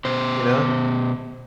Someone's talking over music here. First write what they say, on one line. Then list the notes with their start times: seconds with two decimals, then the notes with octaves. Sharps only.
You know?
0.05 B2 C5